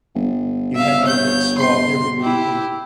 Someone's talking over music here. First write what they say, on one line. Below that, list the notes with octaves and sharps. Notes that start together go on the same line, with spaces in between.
you had to go get swabbed every week and
G1
E5 F5
C#5 G6
C6
E4 G4